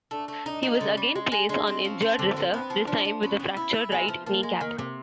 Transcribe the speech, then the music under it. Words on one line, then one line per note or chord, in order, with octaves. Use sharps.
He was again placed on injured reserve, this time with a fractured right kneecap.
A3 D4
A3
D4 D#4
D#4
D3 C#4
G3
G#3
G#3
G#3 D4
C4
F3 C#4
F3
D3 C4
F3
B3 C4
F3
F3 D4
F3
B3 C#4
B3
E4
E4
G#3 B3
F3
F3 A#3
G#3
D#3 A#3
C3